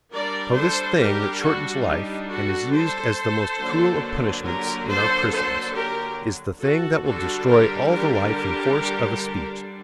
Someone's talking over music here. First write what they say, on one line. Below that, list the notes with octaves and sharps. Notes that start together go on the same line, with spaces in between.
So this thing that shortens life, and is used as the most cruel of punishments in our prisons, is the thing that will destroy all the life and force of a speech.
G3 D4 A#4 D5
A4 C5
G4 A#4
F#4 A4
D#4 G4
F#4 A4
A4 C5
D3 F#3 A#3
G4 A#4
A4 C5
A4 C5
G4 A#4
F#4 A4
D3 G3 D4 F#4 A4
G4 A#4
G4 A#4